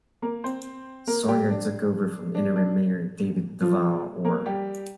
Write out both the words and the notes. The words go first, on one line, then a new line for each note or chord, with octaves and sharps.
Sawyer took over from interim mayor David Duvall Orr.
A#3 A#4
C4 C5
A#3 A#4
G3 G4
D4
D4
D4
F3 F4
A#3 A#4
G3 G4